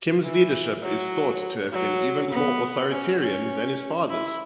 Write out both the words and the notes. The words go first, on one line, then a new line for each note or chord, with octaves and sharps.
Kim's leadership is thought to have been even more authoritarian than his father's.
E3
F#3
F#3
B3
C#4
C#4
E4